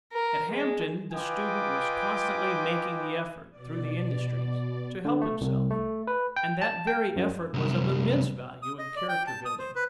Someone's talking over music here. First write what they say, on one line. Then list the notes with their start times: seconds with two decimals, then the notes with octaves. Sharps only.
At Hampton the student was constantly making the effort through the industries to help himself, and that very effort was of immense value in character-building.
0.12 A#4
0.51 G#3
1.13 F4 B4 D#5 G5 G#5 D6
3.51 B2 D5
5.05 D3
5.21 A3
5.41 C2
5.70 A3
6.07 B4
6.36 G5
6.62 A5
6.87 G5
7.16 F#2
7.54 C2 F#2
8.62 D#6
8.79 D#5
8.96 D5
9.09 G5
9.27 A5
9.45 D#6
9.59 C5
9.75 B4